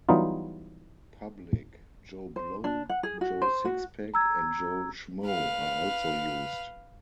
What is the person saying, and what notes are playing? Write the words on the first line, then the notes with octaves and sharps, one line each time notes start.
Public, Joe Blow, Joe Sixpack and Joe Schmoe are also used.
E3 F#3 G3 B3 D#4 F4
C5
D4
F#5
G#4
F#4
C5
F#4
A#5 E6 G#6
B4 F5